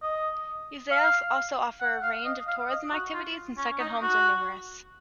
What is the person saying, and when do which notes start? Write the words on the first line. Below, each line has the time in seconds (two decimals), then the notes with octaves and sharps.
Yzeures also offers a range of tourism activities and second homes are numerous.
0.03 D#5
0.91 F5
1.81 F#5
2.03 F5
2.25 D#5
2.48 F5
2.69 D#5
2.92 F#4
3.14 F4
3.58 C#4
3.80 D#4
4.02 F#4